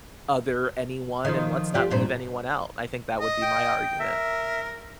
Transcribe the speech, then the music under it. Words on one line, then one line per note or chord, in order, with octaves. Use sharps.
other anyone, and let's not leave anyone out. I think that would be my argument.
D#3 F3
F4 G4 D5
G2 A#2 C5
D#5
G5
A#4 E5